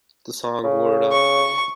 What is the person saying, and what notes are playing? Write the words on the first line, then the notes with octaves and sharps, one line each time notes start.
The song Word Up!
C#3
C#6